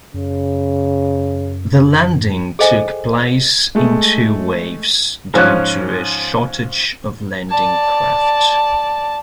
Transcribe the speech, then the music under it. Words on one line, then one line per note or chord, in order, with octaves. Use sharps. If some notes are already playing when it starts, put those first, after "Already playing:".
The landing took place in two waves due to a shortage of landing craft.
F#2 C#3
G#4 A4 C5 D#5 G5 G#5
G#3 A3
G#2 F3 C#4 F#6
D5 A5